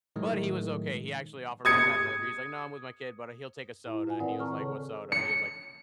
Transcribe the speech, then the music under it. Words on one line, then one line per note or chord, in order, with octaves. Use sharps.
But he was okay; he actually offered my dad another bee He's like, "No, I'm with my kid, but he'll take a soda," and he was like, "What soda?" He was like
A2 D#3 F#3 G#3 A3
D#6 G#6 C#7
A2 E4
F4 F5 G#5
D#3 C4 A#4 B4 D5 F#5
A5 A#5 C#6 F6
C#3 G#4 A4 C#5
C#7